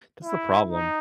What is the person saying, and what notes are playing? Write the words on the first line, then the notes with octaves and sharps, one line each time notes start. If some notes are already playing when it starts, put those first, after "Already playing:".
That's the problem.
E4
D#4